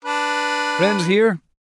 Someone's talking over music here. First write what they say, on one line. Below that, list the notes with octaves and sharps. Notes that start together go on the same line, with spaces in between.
Friends here.
D4 B4